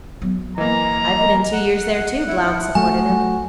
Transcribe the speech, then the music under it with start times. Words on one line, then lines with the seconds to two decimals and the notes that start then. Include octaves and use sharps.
"I put in two years there, too," Blount supported him.
0.22 F#3 B3
0.58 E3 A#3 D#5 A#5
1.53 F#5
2.27 E4
2.75 F#3 A3 F#4 G#5